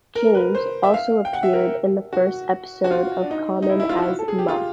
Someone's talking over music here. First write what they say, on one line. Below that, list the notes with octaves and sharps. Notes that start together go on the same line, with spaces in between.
James, also appeared in the first episode of Common As Muck.
A#4
B4
C5
E5
F5
G5
F#5
E5
A#4
F#4
F#4
F4
D4
D#4
D#4
E4
E4
F4
F#4
A4
G#4
G4
F4